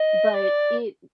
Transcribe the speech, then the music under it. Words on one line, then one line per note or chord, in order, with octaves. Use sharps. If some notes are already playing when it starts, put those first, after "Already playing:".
but it
Already playing: D#5
D5